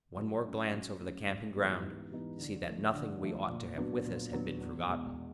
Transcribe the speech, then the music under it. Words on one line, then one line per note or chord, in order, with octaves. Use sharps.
One more glance over the camping-ground to see that nothing we ought to have with us had been forgotten.
F#3
A3 C#4
F#3
A3 C#4
G#2
E3 G3 B3 D#4
G#2
E3 G3 B3 D#4
D3
F3 A3
D3
F3 A3
A#2
F#3 B3 D4 F#4
A#2
F#3 B3 D4 F#4
E2
B2 G#3